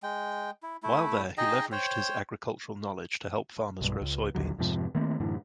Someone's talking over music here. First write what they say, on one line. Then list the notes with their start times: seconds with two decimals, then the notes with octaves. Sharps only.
While there he leveraged his agricultural knowledge to help farmers grow soybeans.
0.03 G#3 G5
0.63 E4
0.83 A3 E4
1.38 D#4 G#4 D#5 G5
1.72 C5 C#5 G5
3.81 B1 G2
4.01 C#2
4.35 A#1 D#2 D3 F#3
4.59 F2 G#2 C3 F3
4.95 D#3 A3 A#3 C4
5.20 F#2 A2 D3 E3